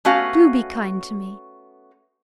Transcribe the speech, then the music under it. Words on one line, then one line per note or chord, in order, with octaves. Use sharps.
Do be kind to me.
A3 B3 C#4 F#4 F5